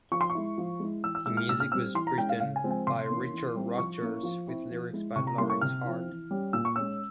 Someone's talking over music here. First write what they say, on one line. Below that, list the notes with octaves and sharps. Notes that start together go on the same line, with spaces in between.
The music was written by Richard Rodgers, with lyrics by Lorenz Hart.
F3 C#6
C6
C#6
G#3 E4
F3
G#3 E4
E3 E6
E6
G#3 E4 E6
F6
A#2 E6
F6
G3 C4 E6
E3 C6
A#5
G#3 C#4 E4 G5
F5
C#3 F5
G#5
F3 G#3 C4
G#5
C3 C6
E3 A#3 C#4
E3
G3 C4 E4
F3 C#6
A#3 C#4 E4
F3
C4 E4
F3
G#3 E4
C3 C#6
A#5
G3 A#3 C#4 E4 C6
C#6
C3 F6
F3 C4 E4
E3
G3 C#4
A#2 E6
C#6
G#3 C#4 E6